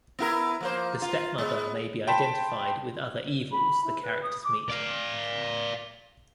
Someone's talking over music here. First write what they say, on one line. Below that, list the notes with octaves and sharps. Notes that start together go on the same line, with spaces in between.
The stepmother may be identified with other evils the characters meet.
B3 E4 A#4
F3 A#3 C5
F4
G#3 B3
G5 A5 B5 C6 B6 E7
B5
E4
B4
D#6
D6
D5 F5